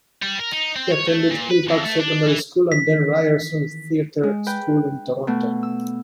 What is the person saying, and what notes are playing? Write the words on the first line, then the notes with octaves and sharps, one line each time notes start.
He attended Hill Park Secondary School and then Ryerson Theatre School in Toronto.
G3
A#4
D#4
C4
C#5
A3
A#2
B4
F2
A3
D4
E3
D#3 E3 C4 B6
G#3
B4 G5
B2 A3
E6